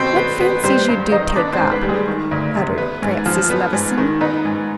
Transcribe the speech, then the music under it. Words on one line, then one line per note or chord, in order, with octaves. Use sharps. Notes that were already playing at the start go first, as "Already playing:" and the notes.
"What fancies you do take up!" uttered Francis Levison.
Already playing: B2 C4 C5
B3
B3
G3 C4 C5
G2
D#3 D#4 D#5
B3 D4 D5
C4 C5
G#2
B3 B4
G3
G#3 G#4
D#3
D2
C3
B3
G#2
F3
B3
G#2
D#3
B3 D#4
G#2